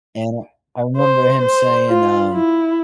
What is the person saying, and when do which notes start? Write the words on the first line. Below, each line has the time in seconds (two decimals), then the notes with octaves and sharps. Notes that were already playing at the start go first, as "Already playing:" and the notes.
and I I remember him saying, um,
0.97 C5
1.46 C5
1.89 F4
2.33 E4